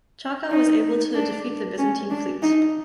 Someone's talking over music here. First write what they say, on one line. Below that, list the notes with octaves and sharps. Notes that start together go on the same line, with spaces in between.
Chaka was able to defeat the Byzantine fleet.
D#4
D4
C#4
D4
D#4